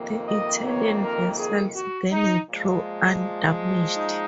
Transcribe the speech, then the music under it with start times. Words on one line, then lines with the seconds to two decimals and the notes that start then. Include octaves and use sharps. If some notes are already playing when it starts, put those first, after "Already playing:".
The Italian vessels then withdrew undamaged.
Already playing: F2 C3 D#3 A#3
0.28 D#5
0.65 C#5
1.02 A#4
1.38 G#4
1.75 F#4
2.12 D#4
2.49 A#2 F3 G#3
3.96 D#4